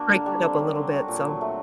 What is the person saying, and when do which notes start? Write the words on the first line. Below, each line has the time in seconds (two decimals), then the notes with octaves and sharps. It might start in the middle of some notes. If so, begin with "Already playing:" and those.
breaks it up a little bit, so
Already playing: A#3 D4 F#4
0.09 D3
0.26 G3
0.42 C4
0.59 F#3
0.75 C4
0.91 F#4
1.08 A#2
1.24 F#3
1.41 A3